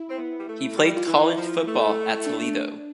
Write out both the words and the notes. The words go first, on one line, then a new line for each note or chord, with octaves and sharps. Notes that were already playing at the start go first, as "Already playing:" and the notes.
He played college football at Toledo.
Already playing: E4
C4
B3
G3
A3
G3
F4
E3 E4
F3
A3
D4